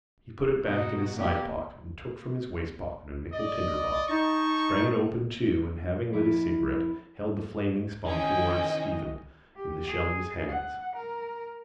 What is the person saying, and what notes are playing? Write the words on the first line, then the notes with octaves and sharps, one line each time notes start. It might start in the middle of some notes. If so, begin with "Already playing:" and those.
He put it back in his sidepocket and took from his waistcoatpocket a nickel tinderbox, sprang it open too, and, having lit his cigarette, held the flaming spunk towards Stephen in the shell of his hands.
B2 D#4 F#4
A#3 B3 G4
D5 D#5
D#4 D#5 A5 C#6
F2 E4
D#3 E3 C#4 C5 D#5 G5 G#5
G4
G#4
F#5
A#4